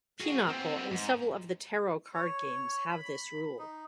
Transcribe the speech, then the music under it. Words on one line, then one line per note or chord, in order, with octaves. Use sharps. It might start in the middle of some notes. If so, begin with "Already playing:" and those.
Pinochle and several of the Tarot card games have this rule.
F#4 G#4
B3 C4
G#2
C#5
B5
D#4